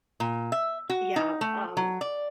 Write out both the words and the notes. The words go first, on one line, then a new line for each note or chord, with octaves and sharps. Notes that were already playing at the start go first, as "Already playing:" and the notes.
yeah, um,
A#2
E5
F#4
D#4
A3
F#3
D5